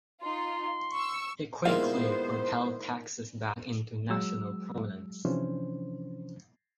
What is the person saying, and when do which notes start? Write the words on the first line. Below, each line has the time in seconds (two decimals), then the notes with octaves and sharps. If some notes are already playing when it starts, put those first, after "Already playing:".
He quickly propelled Texas back into national prominence.
0.22 D#4 F4 C6
0.92 C#6 E6
1.66 A#2 D#3 G#3 B3 E4 C5 F5 C6
4.10 F#3 G#3 E6
5.25 C3 E3 F3 C#4 D4 C5